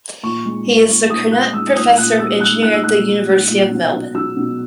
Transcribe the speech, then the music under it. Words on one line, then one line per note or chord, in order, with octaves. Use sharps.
He is the Kernot Professor of Engineering at the University of Melbourne.
A#2 C#6
G#3
G#3
A#2
A#2 D#6
G#3 F#6
G#3 E6
A#2 D#6
A#2 F#6
G#3 E6
G#3 F#6
A#2 F#6
E6
A#2 F#6
G#3
G#3
A#2
B2
F#3
F#3 E6
B2